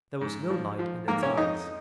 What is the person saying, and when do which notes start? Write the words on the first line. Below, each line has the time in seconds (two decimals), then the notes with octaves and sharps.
There was no light in its eyes.
0.21 G#2
0.50 F3
0.79 F3
1.08 G#2 A#3 A#4
1.23 C#4 C#5
1.37 F2 D#4 D#5